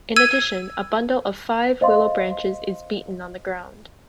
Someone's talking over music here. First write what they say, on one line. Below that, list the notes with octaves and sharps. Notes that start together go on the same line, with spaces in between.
In addition, a bundle of five willow branches is beaten on the ground.
E6 G#6 D#7
C5 D#5 F5 C6